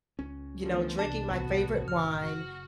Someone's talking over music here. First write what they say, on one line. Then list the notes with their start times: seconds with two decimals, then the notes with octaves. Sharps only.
you know, drinking my favorite wine,
0.19 C#2 C#4
0.61 D3 E3 F3 A3 B3
0.99 C2 D4 A5
1.30 A1 B3 F#4
1.88 F#1 F6
2.21 F#4